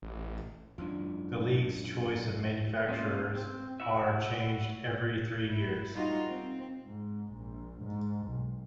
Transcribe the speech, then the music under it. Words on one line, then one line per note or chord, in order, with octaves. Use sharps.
The league's choice of manufacturers are changed every three years.
A1
G#1 F#2 E3 D4 F4
G#3 A#3 C#4 F4 G#4
C4
E4 F#4 E5
E4
A#2 G3 D#4 F4 F#4
C4
G#2
A#1
G#2
B1